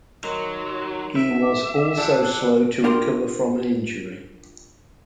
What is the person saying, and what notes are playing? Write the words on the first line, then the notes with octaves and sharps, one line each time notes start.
He was also slow to recover from an injury.
D#3 F#3 C6
E5
D6
F3 D4 G#4 D5 F#5 E6
D4 F4 G4 A#4 A#5 C6